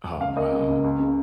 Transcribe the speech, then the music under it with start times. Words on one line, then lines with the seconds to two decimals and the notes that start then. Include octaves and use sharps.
Oh, wow.
0.21 C#2 F5
0.36 A#3 D#5
0.52 C#3
0.68 C#2
0.84 C#2
0.99 C#3